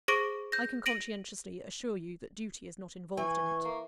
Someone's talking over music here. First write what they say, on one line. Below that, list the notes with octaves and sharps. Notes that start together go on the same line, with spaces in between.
I can conscientiously assure you that duty is not involved in it.
G#4 C5 C#6 D6 A#6 D7
G6 A#6
A#6 D7 D#7 F#7
E3 G#5 C#6
A#3